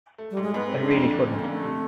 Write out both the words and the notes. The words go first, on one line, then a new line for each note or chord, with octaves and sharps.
I really couldn't.
A3
G3
G#2
G#3
G#2 B3
C4
A3
D4
F2
D3
F2 C#4
A#3
D3
A3
C3